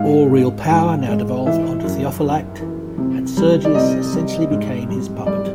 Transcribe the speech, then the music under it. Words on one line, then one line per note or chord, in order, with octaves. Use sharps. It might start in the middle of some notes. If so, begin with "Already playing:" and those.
All real power now devolved onto Theophylact, and Sergius essentially became his puppet.
Already playing: G#2 F5
G#2
G#2
G#3
E3 E5
F#2
F#2
E3
C3
G3
D5
C3 D#5
G3
G#2
G3
G3 D5